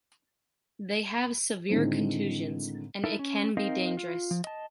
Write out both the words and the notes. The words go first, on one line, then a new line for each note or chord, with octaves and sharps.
They have severe contusions, and it can be dangerous.
A2 D3 D#3 G#3 C4
D#4 E4 A4 A#4 E5
C#4
C4 D#4 A#4 D#5 F5
F4
F3
D#5 A5